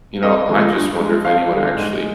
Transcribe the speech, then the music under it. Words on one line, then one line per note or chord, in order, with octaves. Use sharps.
You know, I just wonder if anyone actually
F2 D#5
D3 F3 G#3
G2
F3 G#3
F2 F5
D3 G3
G#2
G#3